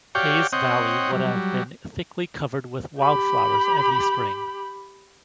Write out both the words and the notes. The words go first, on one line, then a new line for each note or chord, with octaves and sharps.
Hayes Valley would have been thickly covered with wildflowers every spring.
F#4 G4 C#5 D5 F5 G5
C4 C#5 D#5 F#5 G5
F#3 G3
G4 B5